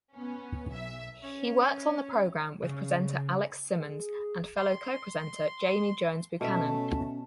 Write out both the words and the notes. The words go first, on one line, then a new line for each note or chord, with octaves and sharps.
He works on the programme with presenter Alex Simmons and fellow co-presenter Jamie Jones-Buchanan.
B3 C#4
B1 E5
C#4
C#3
G#4
C6
B2 A3 C#4 E5 A5